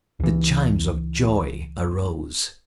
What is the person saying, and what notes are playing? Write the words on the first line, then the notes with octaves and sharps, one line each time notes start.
The chimes of joy arose.
C#2 E3